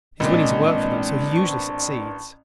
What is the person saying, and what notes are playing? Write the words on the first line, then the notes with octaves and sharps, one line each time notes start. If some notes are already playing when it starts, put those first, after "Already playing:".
He is willing to work for them, so he usually succeeds.
A1 A#2 G#3 C4 D4 D#5
C4 A5 C#6